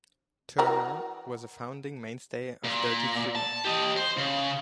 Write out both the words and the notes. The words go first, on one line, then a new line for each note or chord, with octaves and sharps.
Turner was a founding mainstay of Dirty Three.
E3 F#4 A#4
A#2
A5
G4 D#5
C5
C#3